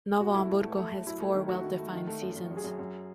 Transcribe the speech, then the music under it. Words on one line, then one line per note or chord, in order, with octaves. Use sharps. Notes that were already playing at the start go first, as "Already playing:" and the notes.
Novo Hamburgo has four well defined seasons.
B2 F#4
A3 E4
A3 E4
A3
A3
A3
F#3 E4
A3
D#3
A3 F#4
D#3
A3
D#3
A3
F#2
F#2
F#2
G#4
F#2
F#2